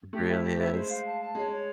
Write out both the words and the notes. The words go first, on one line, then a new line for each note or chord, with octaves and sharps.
Really is.
A3 G4
E4
G4
E4
G#3 C5
F5
A5
A5
G#3 C#5
C#5